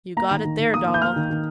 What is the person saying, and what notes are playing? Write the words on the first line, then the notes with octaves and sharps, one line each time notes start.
'You got it there, Doll.
A#3 A#5
D#3
D#3
D#3
A#3 D#6
A#3
G6
A#3 F6
D#3
D#3